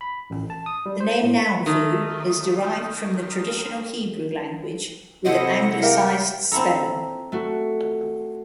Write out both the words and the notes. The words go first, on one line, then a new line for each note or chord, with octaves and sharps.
The name Nauvoo is derived from the traditional Hebrew language with an anglicized spelling.
B5
A1
A5
D#6
G3
C5
A2
D#3 A3
C3 E4 A4 C5 D#5 F#5 A#6
G4 A#4 E5 F5 G5
C4 E4 A4 A#5
A3 F#4